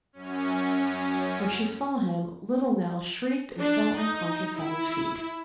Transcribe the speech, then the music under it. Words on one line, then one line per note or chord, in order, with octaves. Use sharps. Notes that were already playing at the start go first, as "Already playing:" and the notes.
When she saw him little Nell shrieked and fell unconscious at his feet.
F#2 C#4
D4
D#4
E4